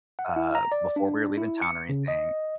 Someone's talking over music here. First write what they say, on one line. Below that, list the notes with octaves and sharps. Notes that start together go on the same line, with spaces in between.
uh, before we were leaving town or anything,
F#5
E4
A#5
D5
D4
E4
C#7
C#3
D#5